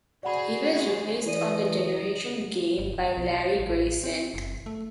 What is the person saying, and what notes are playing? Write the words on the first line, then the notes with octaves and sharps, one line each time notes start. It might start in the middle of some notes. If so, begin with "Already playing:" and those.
He was replaced on "The Generation Game" by Larry Grayson.
F#4 G#4 C5 D5 F#5 B5
E3 E4 D5 D#5 D#7
G1
F1
B1
A1
C4
F#1
A3